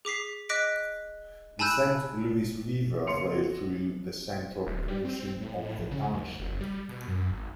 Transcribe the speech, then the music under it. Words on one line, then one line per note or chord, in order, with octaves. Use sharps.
The Saint Louis River flows through the central portion of the township.
G#4 D6 B6 C7
D#5 D6 F#6 A#6 B6 D7
G#5 A5 B5 E6 F#6 G6
F#1 A#3 C#5 C6 C#7 F7
F#4
D1
G3
C4
A2
A#1
C#3
D#2
F#1
G3
B2
F#2
G#1